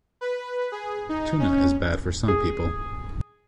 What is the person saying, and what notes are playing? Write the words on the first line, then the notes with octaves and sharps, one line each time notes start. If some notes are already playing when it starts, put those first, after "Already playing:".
Tuna is bad for some people.
B4
G#4
D#4
C#4
G#4